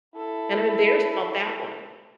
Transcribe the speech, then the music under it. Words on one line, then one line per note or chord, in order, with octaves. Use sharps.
and I'm embarrassed about that one.
E4 A4